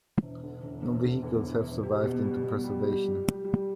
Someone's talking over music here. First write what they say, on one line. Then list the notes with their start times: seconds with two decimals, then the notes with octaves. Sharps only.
No vehicles have survived into preservation.
0.22 E1
0.43 D3
0.63 E1
0.83 E1
1.03 D3
1.23 E2
1.43 E1
1.63 E1
1.83 G4
2.03 B2
2.24 G3
2.43 B2
2.64 G3
2.84 G4
3.04 G3
3.24 G3
3.44 G3